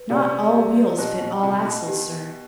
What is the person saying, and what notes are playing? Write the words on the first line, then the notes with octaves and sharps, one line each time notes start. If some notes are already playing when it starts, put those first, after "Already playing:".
"Not all wheels fit all axles, sir."
Already playing: B4
C3 D5
G4
B2 G4
B2
C3 G5
B2
G4